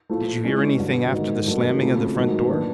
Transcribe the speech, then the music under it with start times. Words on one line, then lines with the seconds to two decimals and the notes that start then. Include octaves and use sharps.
"Did you hear anything after the slamming of the front door?"
0.09 A2 F3 A3
0.44 E3 G#3 C#4
0.78 G2 D3 F#3
1.12 G#2 D#3 G#3
1.46 G2 D#3 F#3 A3
1.80 C#3 F3 A3 C4 F4
2.15 G#2 D#3 F#3 A3
2.49 A#2 F#3 B3 D4